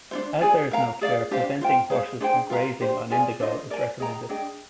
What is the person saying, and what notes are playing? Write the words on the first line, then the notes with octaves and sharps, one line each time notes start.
As there is no cure, preventing horses from grazing on indigo is recommended.
D4 F4 C5
G#4 D5 G#5
A#4 F5 A#5
G#4 D5 F5
D4 G4 C5 F5
F4 C5 G5
G#4 C5 F5
D4 G#4 C5 G5
F4 A#4 F5 A#5
D4 G4 C5
F4 G#4 D5 G#5
D4 F4 C5 D#5
A#4 D5 G#5
G#4 D#5 G5 A#5
D4 G#4 D#5 G5